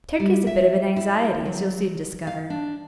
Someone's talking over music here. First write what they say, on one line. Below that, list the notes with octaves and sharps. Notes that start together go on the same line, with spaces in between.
Turkey's a bit of an anxiety, as you'll soon discover.
G3
E5
E4
F#3
F5
D4